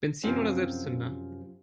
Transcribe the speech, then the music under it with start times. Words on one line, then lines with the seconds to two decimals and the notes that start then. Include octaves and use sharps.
Benzin oder Selbstzünder?
0.23 F#2 C3 F3